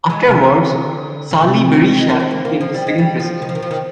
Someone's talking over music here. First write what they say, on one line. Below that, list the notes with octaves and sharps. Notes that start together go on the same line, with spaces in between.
Afterwards, Sali Berisha became the second President.
G#3
C3
D3
D3
C3
G3
G#3
A#3
C4
A#3
A#3
F3
G3
G#3
G3
F3
D#3
F3
D#3
F3
D#3